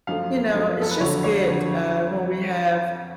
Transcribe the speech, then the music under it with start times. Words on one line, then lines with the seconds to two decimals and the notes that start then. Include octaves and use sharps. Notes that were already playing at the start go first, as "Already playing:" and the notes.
you know, it's just good uh when we have
0.07 F#2 F3 A3 F5
0.54 F#2 F3 A3
0.82 A4
0.91 B4
1.00 F2 D3 F#3 C#5
1.24 C#5
1.47 F2 D3 F#3